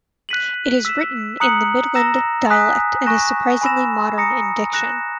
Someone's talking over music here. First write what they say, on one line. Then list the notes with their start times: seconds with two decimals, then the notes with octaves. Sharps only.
It is written in the Midland dialect, and is surprisingly modern in diction.
0.29 F#6 B6 D#7 F#7
0.85 E6 B6 E7
1.40 A#5 D#6 F#6 C#7 F#7
1.95 A#5 E6 A#6 E7
2.50 G#5 D#6 F#6 B6
3.06 G#5 C#6 F#6 A#6 E7
3.61 G#5 B5 E6 A#6 E7
4.18 A#5 D#6 A#6 C#7
4.73 F#6 A#6 E7